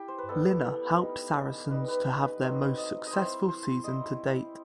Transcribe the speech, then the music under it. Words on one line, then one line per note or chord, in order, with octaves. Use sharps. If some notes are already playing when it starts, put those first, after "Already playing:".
Lynagh helped Saracens to have their most successful season to date.
Already playing: E4 G4
C5
B4
G3 B3 E4 A4
G3 D#4
G3 D#4 B4
B4
B4
F#3 C4 D#4
D#5
D#5
A3 C4 E4 C5
C5
G3 C4 E4 D#5